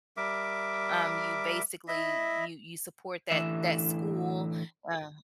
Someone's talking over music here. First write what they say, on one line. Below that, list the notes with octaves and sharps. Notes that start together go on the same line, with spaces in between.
um, you basically, you you support that that school, uh
G3 A#4 E5 D6
E4 D#5 E5
A2 D3 E3 E5